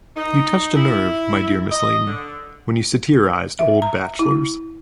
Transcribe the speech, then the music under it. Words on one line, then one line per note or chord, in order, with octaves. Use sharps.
You touched a nerve, my dear Mrs. Layton, when you satirized old bachelors.
D#4
E4
D#5
D3
E5
A#5
E4